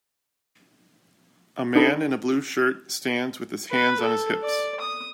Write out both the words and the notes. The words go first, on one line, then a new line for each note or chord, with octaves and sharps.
A man in a blue shirt stands with his hands on his hips.
D4 D#4 A4 B4
B4
A4
D5
D#6